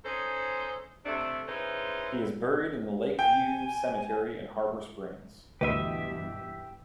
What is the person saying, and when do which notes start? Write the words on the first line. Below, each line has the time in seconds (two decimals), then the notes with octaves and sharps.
He is buried in the Lakeview Cemetery in Harbor Springs.
0.04 C#4 D#4 G#4 A4 C5
1.05 C3 A3 D4
1.47 C#4 D#4 E4 G#4 B4 C5
3.19 G5 G#5
5.61 D2 G2 B2 E3 G4 B4 D#5 E5